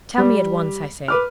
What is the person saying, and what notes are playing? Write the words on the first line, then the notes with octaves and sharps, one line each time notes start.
"Tell me at once, I say."
G3
B4 D6 F6